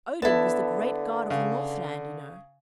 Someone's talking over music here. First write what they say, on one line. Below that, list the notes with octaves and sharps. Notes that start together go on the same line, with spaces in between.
Odin was the great god of the northland, you know.
D3 B3 E4 A5
C#3